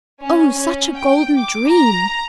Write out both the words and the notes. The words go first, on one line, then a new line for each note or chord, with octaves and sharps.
Oh, such a golden dream!
C#4
C#4
G5
D6
A#5